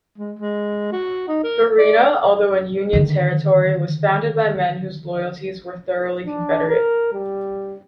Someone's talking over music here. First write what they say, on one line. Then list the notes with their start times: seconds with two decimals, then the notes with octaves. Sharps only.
Verina, although in Union territory, was founded by men whose loyalties were thoroughly Confederate.
0.18 G#3
0.39 G#3
0.92 F#4
1.28 D#4
1.43 A#4
1.78 D5
2.93 D3 D#3
6.26 D4
6.68 A#4
7.13 G3